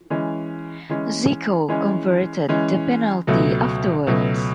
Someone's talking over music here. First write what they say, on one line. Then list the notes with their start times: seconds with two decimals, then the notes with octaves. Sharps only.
Zico converted the penalty afterwards.
0.10 E3 G#3 C#4
0.89 E3 G#3 C#4
1.69 E3 G#3 C#4
2.49 E3 G#3 C#4
3.27 C#2 B2 F#3 A3
4.07 C#2 B2 F#3 A3